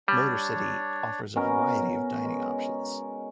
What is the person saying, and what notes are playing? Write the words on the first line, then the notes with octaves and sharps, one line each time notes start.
MotorCity offers a variety of dining options.
G3 D4 C#5 D5
B2 C#4 A#4
G#3